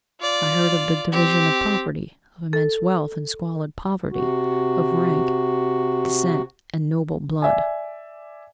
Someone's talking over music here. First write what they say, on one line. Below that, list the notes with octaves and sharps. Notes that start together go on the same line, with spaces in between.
I heard of the division of property, of immense wealth and squalid poverty, of rank, descent, and noble blood.
F4 D5
C4 G4
A4
C3 F#4
D5 E5 G#5